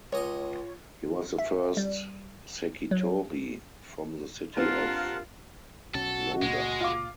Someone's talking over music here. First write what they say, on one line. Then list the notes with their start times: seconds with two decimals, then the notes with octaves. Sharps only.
He was the first "sekitori" from the city of Noda.
0.13 C#2 F4 C#5 D#5 D#6
1.38 E5
1.77 G3
2.91 F#3
4.56 G2 A#3 C4 F4 A#4 F#5 A5
5.94 B1 C#4 F#4 A4
6.42 C#2 A#2 G#3
6.81 F4 D6